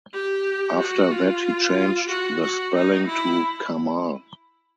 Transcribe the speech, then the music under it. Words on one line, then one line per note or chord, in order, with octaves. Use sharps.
After that he changed the spelling to Kamahl.
G4
F#4
F4
F#4
F#4
D#4
E4